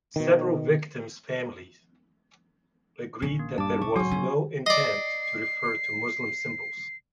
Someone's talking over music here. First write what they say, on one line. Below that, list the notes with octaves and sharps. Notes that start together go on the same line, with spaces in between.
Several victims' families agreed that there was no intent to refer to Muslim symbols.
B2 D#3
A#1 C#4
A#3
G2 A5 D6
E1 C#6
G#2 C#3 F#3 F#4 G#5 C6
C#3 G#5
D5 D#5 C7